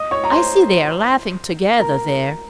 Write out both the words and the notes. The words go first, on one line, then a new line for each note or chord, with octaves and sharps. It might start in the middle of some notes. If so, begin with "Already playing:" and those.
I see they are laughing together there.
Already playing: D#5 D#6
C#5 C#6
A#5
C5 C6
A#4 A#5